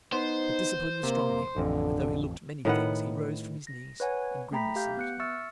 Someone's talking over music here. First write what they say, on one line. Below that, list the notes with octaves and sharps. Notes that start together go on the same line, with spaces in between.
But discipline was strong in him, and though he looked many things, he rose from his knees and grimly saluted.
B3 D#4 C5
C3 A#3
A1 F2 D3
A2 D#3 B4 F#5
A#6
B4 C#5 F#5 G#5
A3 G5 A#5 B5 B6
G4 F5 G6
B3 F#6 C#7
E5 C#6 E6 F6 A6 C#7